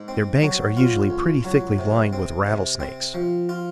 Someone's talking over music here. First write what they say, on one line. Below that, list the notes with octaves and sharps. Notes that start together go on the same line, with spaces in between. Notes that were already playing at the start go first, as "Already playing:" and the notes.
Their banks are usually pretty thickly lined with rattlesnakes.
Already playing: G#2
C4
F#3
F4
C#2
F#3
C3
C4
C3
C4
F3
F4